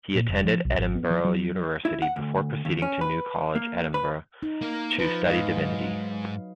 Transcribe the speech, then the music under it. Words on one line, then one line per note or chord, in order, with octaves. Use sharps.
He attended Edinburgh University, before proceeding to New College, Edinburgh to study divinity.
A#2
F1
F3
B1
G#1
B3
F3
F#3
E4
F#5
D2
D#2
C#4
B4
A#3
B4
D#4
A#3 A#4
F3 B4
G#2 D#5 F5
F#3